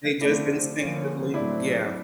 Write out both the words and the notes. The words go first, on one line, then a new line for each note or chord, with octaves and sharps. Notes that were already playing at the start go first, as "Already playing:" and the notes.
They just instinctively yeah,
D3 F3 A3 C4 D4 E4
D3 F3 A#3 C#4
A2 F#3 A3 C4 D4 E4